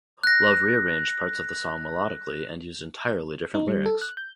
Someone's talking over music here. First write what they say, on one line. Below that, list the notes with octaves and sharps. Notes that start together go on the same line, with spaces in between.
Love re-arranged parts of the song melodically and used entirely different lyrics.
F#6 A#6
D#4
G3
A4
F#6
G6